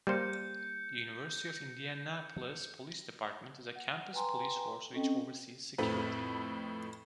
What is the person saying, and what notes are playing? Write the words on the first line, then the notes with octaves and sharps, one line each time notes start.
The University of Indianapolis Police Department is a campus police force which oversees security.
G3 A#3 C5 G6 C#7
F#5
B4 G5 G#5 A#5 C6
C4 C#4 A4 D#5 G5
F2 A2 C4 A4 B4